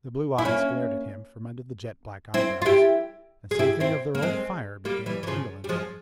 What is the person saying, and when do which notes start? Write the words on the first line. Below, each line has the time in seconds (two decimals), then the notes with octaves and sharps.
The blue eyes glared at him from under the jet-black eyebrows, and something of their old fire began to kindle in them.
0.38 E4
0.45 A#3 C#4
2.34 C4 E4
2.62 F4
2.66 E4 G4
3.51 G#4
3.59 E4 G4
3.80 C4 E4
4.15 A#3
4.22 G#3 C4
4.85 G3 A#3
5.06 E3 G3
5.23 E3
5.27 C#3 F3
5.64 G3
5.69 F3 G#3